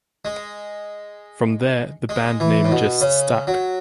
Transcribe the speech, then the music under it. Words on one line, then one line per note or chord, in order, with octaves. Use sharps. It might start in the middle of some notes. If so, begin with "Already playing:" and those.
From there, the band name just stuck.
G#3
G#3
E3
A2
B2
C#3
F#3